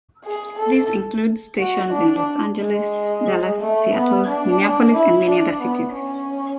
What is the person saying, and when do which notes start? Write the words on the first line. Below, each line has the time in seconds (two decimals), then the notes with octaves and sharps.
These include stations in Los Angeles, Dallas, Seattle, Minneapolis and many other cities.
0.25 G#4
0.59 A4
1.60 F#4
1.93 D4
2.60 G#3
3.61 A3
3.94 B3
4.28 D4
4.94 E4
5.29 D4
5.62 B3
5.95 C#4